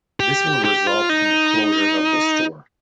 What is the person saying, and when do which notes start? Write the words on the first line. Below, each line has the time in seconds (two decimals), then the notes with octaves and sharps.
This will result in the closure of the store.
0.20 G4
0.65 G4
0.87 F4
1.09 D#4